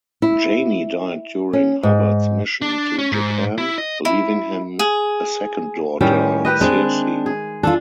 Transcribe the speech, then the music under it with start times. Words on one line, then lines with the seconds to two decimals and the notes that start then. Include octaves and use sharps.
Janie died during Hubbard's mission to Japan, leaving him a second daughter, Searcy.
0.22 E4
1.53 C#4
1.83 G#2
2.62 D4
2.99 C#4
3.12 G#2
3.58 E4
3.78 D#5
4.05 E4
4.79 G#4
6.01 A2 D#3 G3 C#4
6.45 G4 B4 D#5
6.61 G#3 C4 D4
7.26 G#4
7.63 D4 F4 G4 A4